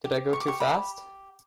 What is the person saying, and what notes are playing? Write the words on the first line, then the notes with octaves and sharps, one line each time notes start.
Did I go too fast?
G4
C#6
D6
G4 C#6
B5